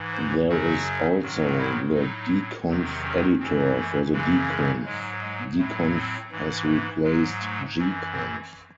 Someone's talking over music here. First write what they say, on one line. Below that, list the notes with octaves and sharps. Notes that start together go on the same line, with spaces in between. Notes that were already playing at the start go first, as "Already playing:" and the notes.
There is also the dconf-editor for the dconf; dconf has replaced Gconf.
Already playing: G#2 E3
C5
F#2 C#3 F#3 F#4
G#2 D#3 F#3
E4
A2 F#3 D#4
E2 C3 D#3 F#3
C#4
F#2 E3 C4
A3
F#2 C#3 E3 G#3
G#3
G#2 F#3 G#3
G#3
A2 F#3 A3
C4
G#2 E3
A3
G#2 F#3 G#3
A3
F#2 E3
C4